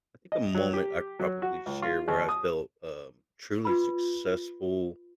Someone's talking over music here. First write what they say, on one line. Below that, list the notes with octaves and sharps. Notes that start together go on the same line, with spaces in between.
I think a moment I could probably share where I felt, um, truly successful
D#5
F#3
G4
F#3
F#4
C#2
F4
D#2
D#6
F4 B4 B5